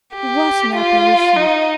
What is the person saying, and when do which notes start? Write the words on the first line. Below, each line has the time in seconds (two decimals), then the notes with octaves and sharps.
What an apparition!
0.15 G4
0.75 F4
1.36 D#4